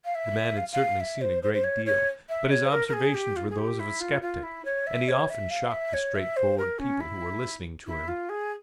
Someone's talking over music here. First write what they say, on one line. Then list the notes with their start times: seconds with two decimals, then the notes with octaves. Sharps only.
The man had certainly seen a great deal, but his observations were those of a skeptic, and he often shocked the straightforward people who were listening to him.
0.04 F5
0.14 E5
0.57 F5
0.72 F5
1.00 E5
1.21 C5
1.43 C5
1.53 C5
1.63 C#5
1.86 C#5
2.29 E5
2.50 C#5
2.65 C5
2.71 A#4
2.88 A#4
2.93 G#4
3.14 G4
3.36 F4
3.50 G#4
3.58 G4
3.79 E4
4.00 F4
4.22 F4
4.43 E4
4.65 C#5
4.87 E5
5.08 C#5
5.29 E5
5.50 F5
5.71 E5
5.93 C#5
6.15 E5
6.36 C5
6.58 A#4
6.79 C#4
7.00 E4
7.86 E4
8.08 F4
8.29 G#4